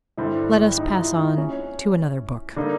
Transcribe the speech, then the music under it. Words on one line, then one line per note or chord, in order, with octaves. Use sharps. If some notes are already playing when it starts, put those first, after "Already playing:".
Let us pass on to another book.
G2 D3 G3 C4 E4
D#4
F4
E4
D#4
C#4
D3 G3 A#3 D4 D#4